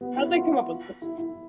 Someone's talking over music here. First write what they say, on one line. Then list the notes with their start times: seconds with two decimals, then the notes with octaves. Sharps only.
How did they come up with this?"
0.01 B3
0.17 E4
0.28 F#4
0.35 F4
1.02 E4
1.18 E4